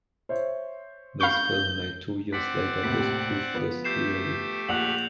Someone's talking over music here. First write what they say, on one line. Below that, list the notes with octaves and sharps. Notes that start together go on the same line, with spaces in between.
This film made two years later disproved this theory.
C5 C#5 E5
F5 B5 C#6 G6
C4 D5 F#5 B6
D#2 A2 C3 B6
F3 B3
A3 G4 G6 C7 E7
A#1 F#5 F#6 F7 F#7